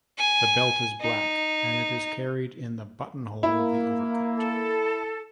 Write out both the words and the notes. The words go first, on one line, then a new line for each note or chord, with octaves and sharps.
The belt is black, and it is carried in the buttonhole of the overcoat.
G#5
D#4
A#3 E4
A4